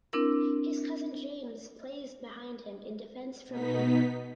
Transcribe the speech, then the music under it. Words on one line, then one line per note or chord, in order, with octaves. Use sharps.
His cousin James plays behind him in defence for Meath.
C4 D4 E4 A#4
B2 B3 D#4 B6